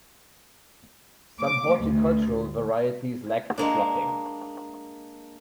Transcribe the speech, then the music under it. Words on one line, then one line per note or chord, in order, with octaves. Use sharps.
Some horticultural varieties lack the flocking.
D6
D2
G#3 A#3 D4